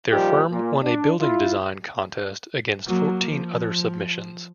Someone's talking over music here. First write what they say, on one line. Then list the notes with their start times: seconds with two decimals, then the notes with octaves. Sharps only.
Their firm won a building design contest against fourteen other submissions.
0.11 A#2 F3 G3 D#4 F4 G4
0.51 A#2
0.83 D4
1.19 E4 F4
2.86 F#3 A#3
3.30 F3